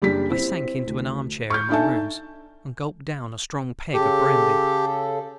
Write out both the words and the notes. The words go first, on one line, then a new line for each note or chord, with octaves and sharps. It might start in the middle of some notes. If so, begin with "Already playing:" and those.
I SANK into an arm-chair in my rooms and gulped down a strong peg of brandy.
F#1 G3 D4 G4 B6
C4 E4
D2
C#6 F6 G6
D4 D#4 A4 E5 G#5 A5
C#3 G4 A4